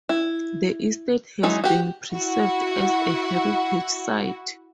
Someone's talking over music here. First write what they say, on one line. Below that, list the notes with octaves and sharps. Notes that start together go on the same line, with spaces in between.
The estate has been preserved as a heritage site.
E4
E3 F#3 G#3 D#4
F#4 G4
E4 F#4